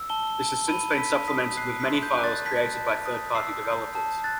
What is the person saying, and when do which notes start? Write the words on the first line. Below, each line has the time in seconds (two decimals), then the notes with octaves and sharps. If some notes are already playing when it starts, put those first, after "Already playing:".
This has since been supplemented with many files created by third party developers.
Already playing: E6
0.10 A5 G7
0.39 A5
0.68 B5 D#7
0.98 B5 B6
1.28 D#6 B6
1.57 F#6 C7
1.80 B6
1.87 C6
2.03 G6
2.18 F#6
2.24 A6
2.46 A5 B6
2.76 A5
3.06 D#6
3.35 E6 C7
3.65 G6
3.95 A5
4.24 F#6 A6